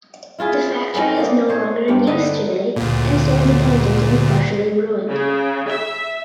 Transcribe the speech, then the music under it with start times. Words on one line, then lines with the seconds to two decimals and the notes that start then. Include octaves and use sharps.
The factory is no longer in use today and stands abandoned and partially ruined.
0.38 E4 F4 G#4 E5
0.94 C4 C#4 A4 B4
1.16 A#3 D#4 G4 D5
1.49 D#4 C5 C#5
1.88 G2 C4 G4
2.07 D3 D#4 A4 B4
2.76 D2 A#2
5.08 C#3
5.68 E5